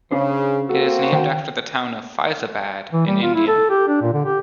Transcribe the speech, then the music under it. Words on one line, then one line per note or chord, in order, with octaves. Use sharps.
It is named after the town of Faizabad in India.
C#3 C#4 D4 C5
A#3 C4 F#4 A4
D#3 C5 G5
E3
G3
F4
E4
A4
G4
D4
A#2
D3
G4